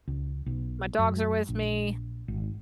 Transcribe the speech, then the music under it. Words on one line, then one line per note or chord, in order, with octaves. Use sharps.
my dogs are with me
C#2
B1
F#2
A#1
G#1